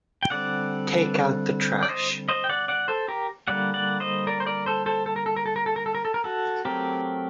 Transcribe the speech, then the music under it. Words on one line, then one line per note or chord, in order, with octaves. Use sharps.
Take out the trash.
G5
D3 G3 C4 D5 F#5
D5
C5 D#5
C5 D#5
G5
D5 F#5
D5 F#5
A4 C5
G4 A#4
D3 G3 A#3 D5 F#5
D5 F#5
C5 D#5
A#4 D5
C5
A#4 D5
A4 C5
A4 C5
A4
A#4
A4
A#4
A4
A#4
A4
A#4
A4
A#4
A4
A#4
F#4 A4
F#3 A3 C4 G4 A#4